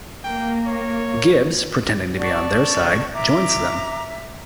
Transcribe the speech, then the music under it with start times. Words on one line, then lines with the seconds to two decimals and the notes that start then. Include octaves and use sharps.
Gibbs, pretending to be on their side, joins them.
0.24 A#3 G5
0.67 C#5
2.17 F#4 D5 A5 C#6
2.54 A6
3.13 E5 A#5 D6